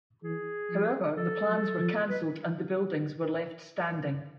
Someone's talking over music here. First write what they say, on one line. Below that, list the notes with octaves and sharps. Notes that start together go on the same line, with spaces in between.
However, the plans were cancelled, and the buildings were left standing.
E3 G#4
F3
F3 A4
F#3
F3
B4